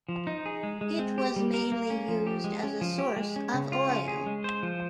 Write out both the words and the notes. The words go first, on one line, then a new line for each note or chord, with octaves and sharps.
It was mainly used as a source of oil.
F3
D#4
G#4
G#3
G#3
C4
G4
G3
A#4
A#3
C#4
F3
G4
G#3
C#4
F3
G4
G#3
C#4
C#3
F4
C#4
G#4
G#3
C5
F3